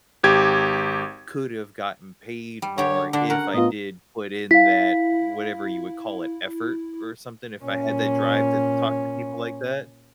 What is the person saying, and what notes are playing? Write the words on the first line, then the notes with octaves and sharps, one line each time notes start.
could have gotten paid more if I did put in that, whatever you would call it, effort, or something, if I had that drive to talk to people like that?
G#1 G4 G#6
G3
D3 G4 C#5
D3 D4
C#4 A#4 F#5
A2 B3 F4 D#5
E4 F5 B6
A#2 C#4